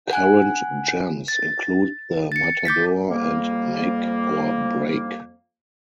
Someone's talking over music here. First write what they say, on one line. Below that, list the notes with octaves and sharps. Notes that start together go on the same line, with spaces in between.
Current gems include the "Matador" and "Make or Break".
F#5 G#5 F#6
A6
A6 C#7
D6 G6 A6 B6
F2 G3 A#3